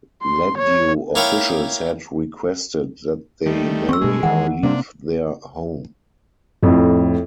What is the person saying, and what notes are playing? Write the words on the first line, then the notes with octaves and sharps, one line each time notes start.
Ladue officials had requested that they marry or leave their home.
C6
C#5
A#3 E4 C#5 F5 G5
D#3 G3 A3
C4 C#6 E6
B2 G#3 A3
D#3 E3 F#5
C3 A#3 C4 D4
F2 A2